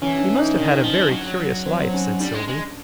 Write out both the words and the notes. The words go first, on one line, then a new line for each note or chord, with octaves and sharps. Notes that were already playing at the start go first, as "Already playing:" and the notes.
"He must have had a very curious life," said Sylvie.
E3 C#4
C#4
D4
D#4
D#3 D4
F3
F#3
C4
C#4
G3 D4
G#3
G#3